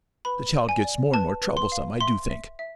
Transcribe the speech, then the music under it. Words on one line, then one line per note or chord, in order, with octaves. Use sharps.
The child gets more and more troublesome, I do think.
B4 B5
D5
G#5
D5
B4 A5
B4
C6
F5
E5 C6
E5
E5